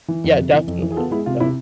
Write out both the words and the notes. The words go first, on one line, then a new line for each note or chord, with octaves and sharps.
Yeah, definitely does.
E3
F2
C3
E3
F2
E3
G#4
B3 F4 A4
G#3 E4 G#4
C3 F4
C3 E4